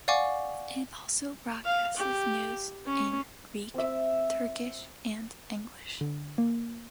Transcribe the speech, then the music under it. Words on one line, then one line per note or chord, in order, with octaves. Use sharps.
It also broadcasts news in Greek, Turkish and English.
D5 F5 F#5 G#5 C#6 D6
F5
G4
C#4
C4 E5
D3
A#3